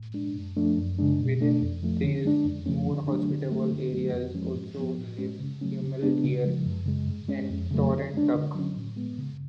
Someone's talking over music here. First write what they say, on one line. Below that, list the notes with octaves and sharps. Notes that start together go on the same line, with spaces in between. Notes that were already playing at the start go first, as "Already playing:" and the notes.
Within these more hospitable areas also live huemul deer and torrent duck.
Already playing: A2
G#3 D4
F#2
F3 A3 D4
F#2
C#3 G#3 D4
B2
A3 D4
F2
F3 A3
D3
G#3 D4
F2
C#3 F3 A3 C#4
D3
F#3 A3 D4
D3
F#3 A3
D3
F#3 A3
F2
F3 G#3 C#4
G#2
F3 B3
A2
G#3 C#4
C#3
F#3 A3 C#4
C#3
G#3 B3 D4
C#3
F3 G#3
F#2
C#3 G#3
G#2
G#3 C#4
F2
C#3 F#3 A3
D3
G#3 D4
D3
F#3 C#4
A2
G#3 B3
C#3